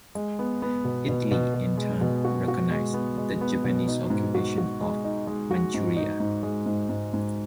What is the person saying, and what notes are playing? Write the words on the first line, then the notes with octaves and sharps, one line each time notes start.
Italy in turn recognized the Japanese occupation of Manchuria.
G#3
B3
B3
B2
B2
B2
B2
G#3
B2
F#4
F#4
G#3
B3
G#3
B3
B2
D#4
G#2
F#4
F#4
G#3
D#4
G#3
F#4
G#2
D#4
G#2
G#3
G#2
G#2
G#2